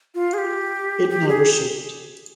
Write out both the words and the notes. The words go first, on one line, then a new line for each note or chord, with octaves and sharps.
It never shipped.
F4
G#4
G4
G4
G#4